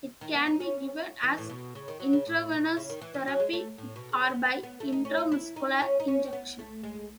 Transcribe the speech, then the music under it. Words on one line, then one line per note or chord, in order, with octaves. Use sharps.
It can be given as intravenous therapy or by intramuscular injection.
D#3
B3
D#4
C#4
E3
A2
B2
C#3
D#3
F#3
C#3
A2
B2
C#3
D#3
E3
E3
F#3
G#3
A3
A2
B2
C#3
B3
B3
B3
A3
D#4
C#4
D#4
E4
D#4
C#4
D#4
C#4
B3
A3
G#3